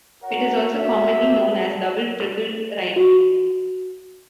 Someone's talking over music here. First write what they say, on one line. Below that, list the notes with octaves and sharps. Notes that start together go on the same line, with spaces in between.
It is also commonly known as double triple rhyme.
F#4 A#4 C#5 F#5
C3 F3 B3 F#4 E5
C2 G#2 A5
F#4